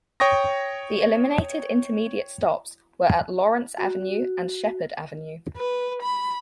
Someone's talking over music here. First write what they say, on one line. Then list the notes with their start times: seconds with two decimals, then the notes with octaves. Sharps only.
The eliminated intermediate stops were at Lawrence Avenue and Sheppard Avenue.
0.20 C#5 G5 C#6 D#6 A#6
3.78 F#4
5.57 B4
6.02 B5